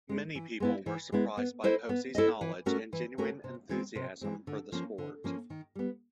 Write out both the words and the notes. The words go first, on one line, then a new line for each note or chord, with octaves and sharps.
Many people were surprised by Posey's knowledge and genuine enthusiasm for the sport.
G#3 B3 D#4
E3
G#3 B3 E4
E3
G#3 B3 E4
B3
E4 A4 C5 D#5
B3
E4 A4 C5 D#5
E3
A3 C#4 F#4 A#4
E3
A3 C#4 F#4 A#4
C3
E3 G#3 C4
C3
E3 G#3 C4
D3
F3 A#3 C#4
D3
F3 A#3 C#4
D#3
G3 B3